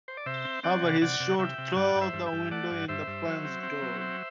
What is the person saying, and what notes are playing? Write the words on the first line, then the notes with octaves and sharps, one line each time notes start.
However, he is shot through the window in the plane's door.
C5
D5
C3 C5 E5
C4
C4 D5 F#5
C3
C3 D5 F#5
C3
C3 E5 G5
C3
G2 D5 F#5
G2
C5 E5
G2
E5 G5
G2
A3 D5 F#5
G2
G2 C5 E5
G2
F#3
C4
C4
F#3
C4